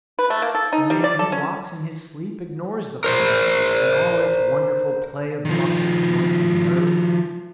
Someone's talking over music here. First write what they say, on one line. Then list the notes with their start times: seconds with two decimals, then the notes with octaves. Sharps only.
The man who walks in his sleep ignores the flesh and all its wonderful play of muscle, joint, and nerve.
0.19 B4
0.30 A3
0.42 A#3
0.55 A4
0.73 D#4
0.90 G3
1.04 D5
1.19 A4
1.32 C#4
3.04 A#4 C5
5.45 D#3 F3